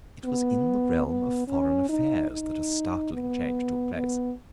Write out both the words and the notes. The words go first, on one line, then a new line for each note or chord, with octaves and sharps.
It was in the realm of foreign affairs that a startling change took place.
B3
B3
C#4
D#4
D#4
B3
B3